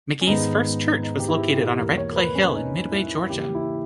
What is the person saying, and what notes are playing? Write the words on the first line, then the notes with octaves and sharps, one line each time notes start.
McGee's first church was located on a red clay hill in Midway, Georgia.
C#4
G#2 D#3 G#3 B3 D#4
D#4
G4
E4
G4
E2 B2 A#3 A#4
C#5
A#4
B4
C#4
D#4
E4
C#3 E3 A#3 G4
E4